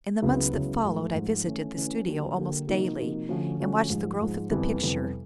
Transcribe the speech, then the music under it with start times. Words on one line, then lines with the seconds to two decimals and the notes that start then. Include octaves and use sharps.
In the months that followed, I visited the studio almost daily, and watched the growth of the picture.
0.22 C#2 C#3 F#3 B3 E4
0.53 C#2 C#3 F#3 B3 E4
0.83 G#2 F3 A3
1.14 G#2 F3 A3
1.45 E3 A3 C#4
1.75 E3 A3 C#4
2.06 D3 F#3 A#3 D4 G4
2.36 D3 F#3 A#3 D4 G4
2.67 C3 F3 A#3 D#4 F#4
2.98 C3 F3 A#3 D#4 F#4
3.29 D3 F3 A3 C#4 F#4
3.59 D3 F3 A3 C#4 F#4
3.90 G#2 F3 G#3
4.21 G#2 F3 G#3
4.51 F2 C3 E3 G3 B3
4.82 F2 C3 E3 G3 B3